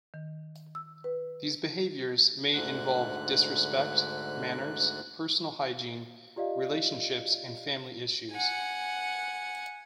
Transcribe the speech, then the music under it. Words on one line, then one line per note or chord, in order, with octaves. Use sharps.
These behaviours may involve disrespect, manners, personal hygiene, relationships and family issues.
D#3
E6
B4
D2 G#2 D3 F#6
F4 G4 D5 D#5 F5
F#5 G#5